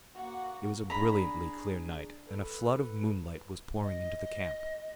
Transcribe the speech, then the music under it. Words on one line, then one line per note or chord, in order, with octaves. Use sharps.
It was a brilliantly clear night and a flood of moonlight was pouring into the camp.
A#3 F#4 F#5
D4 G#4 A#5 B5
A4 B4
D#5